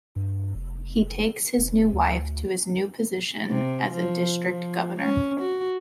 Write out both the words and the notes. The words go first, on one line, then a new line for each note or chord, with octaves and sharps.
He takes his new wife to his new position as a district governor.
G2
F1
E1
D2
C3
F3
F3
C#4
F#4